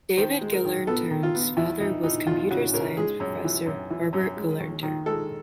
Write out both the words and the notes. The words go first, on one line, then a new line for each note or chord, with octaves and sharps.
David Gelernter's father was computer science professor Herbert Gelernter.
D#3 C5
G#3
A#4
D#3
B3 A4
D#3
F4
B3
E2 E4
E3 D#4
E3 D#4
E2 F4
C#3 F#4
C#3 A#4
G#3 G#4
F#2
E3
F#2
E3
F#2
G#3
D#2
D#3
G#3 A4